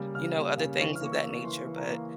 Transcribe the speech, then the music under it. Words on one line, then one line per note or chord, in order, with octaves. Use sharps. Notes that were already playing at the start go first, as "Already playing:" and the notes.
you know, other things of that nature, but
Already playing: C#3 G3 A#3
C#3 F6
A#3
C#3
E3 C#6
F6
A#3 C#6
E6
A#3
C#6
E3 C6
E3
A#5
A#3